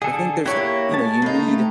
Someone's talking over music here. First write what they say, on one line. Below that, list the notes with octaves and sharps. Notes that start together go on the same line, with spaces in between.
I think there's h you know, you need
D3 G#4 A4
A#3 E4 G4 C#5 F#6
G#3 A5
A2 A#3 D#4
A3